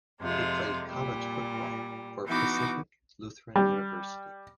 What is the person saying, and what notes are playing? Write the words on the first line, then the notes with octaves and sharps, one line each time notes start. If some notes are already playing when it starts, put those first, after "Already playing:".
He played college football for Pacific Lutheran University.
F2 C3 G#3 F4
A#2 G3
E3 B3 D#4 F#4 D6
G3